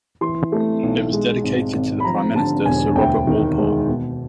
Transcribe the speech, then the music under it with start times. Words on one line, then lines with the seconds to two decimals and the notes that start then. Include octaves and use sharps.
It was dedicated to the Prime Minister Sir Robert Walpole.
0.21 E3 C6
0.52 A3
0.83 B1
1.13 G#3
1.44 G#1
1.74 G#1
2.00 B5
2.05 F3 A#5
2.35 D3 A5
2.65 E1 G#5
2.96 D2 G5
3.27 D#3
3.58 G#3
3.87 B2